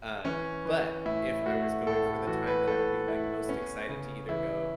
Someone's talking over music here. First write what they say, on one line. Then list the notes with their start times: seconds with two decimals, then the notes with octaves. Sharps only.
Um, but, if I was going for the time that I would be, like, most excited to either go,
0.25 E3 C#4
0.65 E3
1.05 A2 E4
1.46 A3 F#4
1.86 A2 A4
2.06 A4
2.27 E3 F#4
2.47 B4
2.67 A2 A4
3.08 A3 E4
3.48 B3 C#4
3.89 C#3
4.29 E3 E4